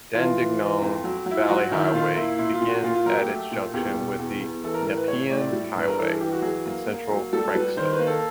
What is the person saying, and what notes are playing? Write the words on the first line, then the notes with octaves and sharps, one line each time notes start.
Dandenong Valley Highway begins at its junction with the Nepean Highway, in central Frankston.
E3 F4
E3
E3
F2
F#3
F#3
E4
F4
F#3 F#4
D#3 E4
A#2 F4
A#3 E4
A#2 E4
F4
A#2
F#4
A#2 F4
F4
F#3 A#4
G4
A3
A#2
E2 G4
B2
E2
E2
E3 A4
A#4
A2 A#4
B4
A3 C#5
A2 D5
G3
G2 B4
A#4
E3 A4
G#4
E3 G4
F#4
F#3 G#4
A#3
A#3
F#3
G3 A4
G3 B4
D#3 C5
B4
A#3
A4